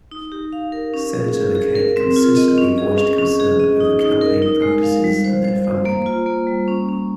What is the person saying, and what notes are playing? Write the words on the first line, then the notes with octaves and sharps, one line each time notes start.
Senator McCain consistently voiced concern over campaign practices and their funding.
D#4
G4
F5
A#4
C#4
G#4
G#4
G#4
A#4
C4
F4
D#5
C#4
G#4
C#4
C#4
G#4
D#5
D#4
D#4
A#4
D#4
G#3
F5
G3
C5
C5
C5
A#3
F4
A#3
G3
C#4
C#4